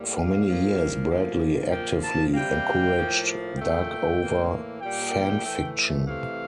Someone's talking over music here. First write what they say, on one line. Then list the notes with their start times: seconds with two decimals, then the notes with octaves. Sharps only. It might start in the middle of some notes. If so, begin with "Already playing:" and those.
For many years, Bradley actively encouraged Darkover fan fiction.
Already playing: A2 G3 A#3
0.15 F5
0.46 A#2 F3 A#3
1.08 D3 F3 A#3
1.70 A#2 F3 A#3 G5
2.02 A5
2.33 C3 G3 A#3 G5
2.95 A2 F3 A#3
3.57 A#2 A3 G5
4.20 A2 E3 A#3
4.82 A#2 G3 A#3 G5
5.44 A2 E3 A3
6.06 C3 E3 A3 F5